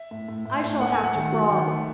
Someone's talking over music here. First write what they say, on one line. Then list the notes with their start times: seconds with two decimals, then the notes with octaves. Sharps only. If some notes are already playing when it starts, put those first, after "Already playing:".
I shall have to crawl.
Already playing: E5
0.11 A2
0.28 A2
0.46 A2
0.64 A2
0.81 A3 F#5
0.92 G#5
0.98 A3
1.04 F#5
1.15 D#3
1.32 F#3
1.51 D#3
1.67 A3